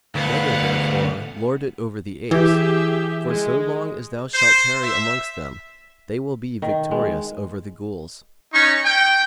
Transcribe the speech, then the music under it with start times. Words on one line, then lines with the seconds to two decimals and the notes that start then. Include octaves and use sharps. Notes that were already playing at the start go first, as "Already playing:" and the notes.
Better therefore lord it over the apes, for so long as thou shalt tarry amongst them they will be victorious over the Ghuls.
0.15 D2 B3 F5 F#5
2.31 E3 G4 G#4 E5
3.26 G#3
4.34 C5
4.83 E5
6.62 D#3
6.91 G#3
8.54 C#4 D#4 C#6
8.84 G5